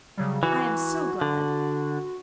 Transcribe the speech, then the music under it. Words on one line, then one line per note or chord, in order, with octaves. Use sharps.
I am so glad.
C#3 F#3 G3
E3 F#4
D3